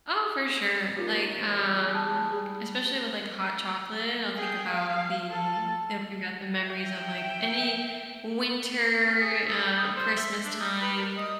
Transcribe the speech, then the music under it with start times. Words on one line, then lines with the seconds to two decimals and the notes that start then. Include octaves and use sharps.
oh, for sure. Like, um, especially with, like, hot chocolate, I'll think about the it'll bring back the memories of, like, any winter, uh, Christmas time
0.97 A#3 C#4 D#4 F4 G4
1.43 E3 B3 G#4
1.90 A5 D#6 F#6
2.32 G3 G#4 G#5
4.36 G#4 G5
4.68 F5
5.30 A4
6.63 E5 G5
9.06 C#4
9.21 G#4
9.48 A4
9.67 G5
9.78 D#6
9.96 C5
10.17 E5
10.44 D4
10.60 D#4
10.81 B4
10.98 A#4
11.17 D#5